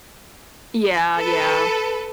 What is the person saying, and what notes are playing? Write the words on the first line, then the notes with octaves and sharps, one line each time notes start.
Yeah, yeah.
A4 B4